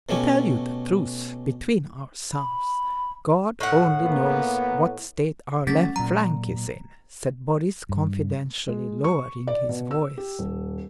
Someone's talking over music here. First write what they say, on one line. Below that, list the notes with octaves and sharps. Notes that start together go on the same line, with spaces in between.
"To tell you the truth, between ourselves, God only knows what state our left flank is in," said Boris confidentially lowering his voice.
B2 A3 C#4 G4 G#5
B5
A2 F#5
A#3 B3
D3 F#3 A3 C#4 A6 B6
A#2 F#3 A#5
G2
G#3
C#6
D5
B2
E6
G4
D#1